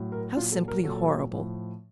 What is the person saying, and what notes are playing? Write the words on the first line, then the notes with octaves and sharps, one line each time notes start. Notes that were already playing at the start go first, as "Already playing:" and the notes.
'How simply horrible!'
Already playing: A2 F#3
A#4
A#2 F#3 F4
A4
A#4
A#2 F#3 A4
A2 F3